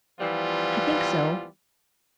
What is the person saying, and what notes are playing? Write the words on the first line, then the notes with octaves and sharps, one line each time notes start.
"I think so."
E3 F3 G3 B3 F4